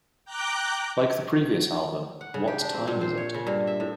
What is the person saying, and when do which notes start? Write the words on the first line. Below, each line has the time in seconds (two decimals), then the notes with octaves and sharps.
Like the previous album, What Time Is It?
0.25 G5 A#5 D6 F#6 G6
2.21 F#5
2.34 C#3
2.48 G4
2.61 D4
2.74 C4
2.88 A#2
3.01 C5
3.17 C#5
3.34 C#3
3.47 G2
3.67 E5
3.80 A2